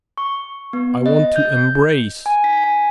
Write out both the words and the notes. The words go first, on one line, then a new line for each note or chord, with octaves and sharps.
I want to embrace.
C#6
B3
D#5
G6
G#5
B6
G#5